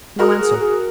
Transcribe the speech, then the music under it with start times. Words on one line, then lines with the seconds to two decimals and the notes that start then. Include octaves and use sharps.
No answer.
0.19 F#4 G#4 A#4
0.40 G#4
0.60 G#4